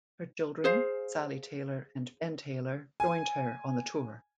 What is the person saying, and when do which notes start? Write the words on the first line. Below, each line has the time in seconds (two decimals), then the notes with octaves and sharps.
Her children, Sally Taylor and Ben Taylor, joined her on the tour.
0.64 G#4 C5 F5
3.00 G#5